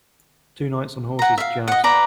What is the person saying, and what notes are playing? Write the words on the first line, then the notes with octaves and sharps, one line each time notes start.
Two knights on horses joust.
F#5 A#5
E5 F5
D#5 F#5
B4 D5 A#5